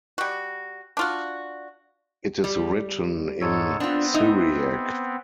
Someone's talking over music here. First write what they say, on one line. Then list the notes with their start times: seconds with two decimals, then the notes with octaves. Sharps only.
It is written in Syriac.
0.18 G3 F#4
0.97 D4 F4 F#4
2.44 G3
3.41 G#2 A4 C#5
3.80 B3 C4 D4 F4
4.14 D#4 E5